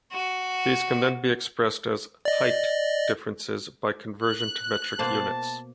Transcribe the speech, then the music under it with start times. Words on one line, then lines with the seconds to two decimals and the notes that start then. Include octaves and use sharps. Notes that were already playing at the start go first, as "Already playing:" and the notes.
These can then be expressed as "height" differences by conversion to metric units.
0.12 F#4
2.25 D5 D#5
4.24 F#6
4.99 B2 A#3 C5 A5